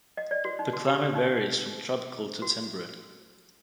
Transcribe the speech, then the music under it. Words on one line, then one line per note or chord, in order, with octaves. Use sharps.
The climate varies from tropical to temperate.
D#5
D5
F#4
D#4
F#4
G4
G4
D#4
F#4